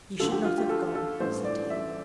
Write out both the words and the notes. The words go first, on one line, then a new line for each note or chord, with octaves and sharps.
"You should not have gone," said he.
D2 D3 F3 A4
G4
F4
G4
A4
A4
A1 G2 E3 A3 C5
D5
E5